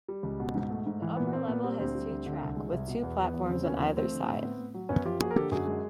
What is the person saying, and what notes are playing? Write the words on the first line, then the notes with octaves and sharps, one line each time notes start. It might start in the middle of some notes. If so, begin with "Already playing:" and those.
The upper level has two track with two platforms on either side.
G3
C#2
B2
G#2
A3
G#2
E3
A#2 B3
A#3 C4
A#2 B3
G3 C4
D2 C4
G3
D2
D3
C2
G#3
C2
B2
E2 B3
E3 B3
E2
C#3 C4
D#2 B3 C#4
F3
A3 C4
D3
A2
B3
A2
F#3
F#2 B3 C#4
F3 F4 G4
A#3 F#4 G#4
A#4
D3 G4 A4
F#2 F#4 G#4
G#3